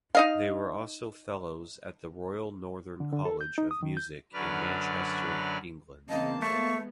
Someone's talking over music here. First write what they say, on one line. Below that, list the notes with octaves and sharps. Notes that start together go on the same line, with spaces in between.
They were also Fellows at the Royal Northern College of Music in Manchester, England.
D#4 D#5 F5
D3
D3
A4
G6
D#4
D#6
D#3
G6
F#2 D3 F#3 B4 D5 F6
E2 C#3 A#3 C4 D#5 A5
G#3 A3 B3 C#6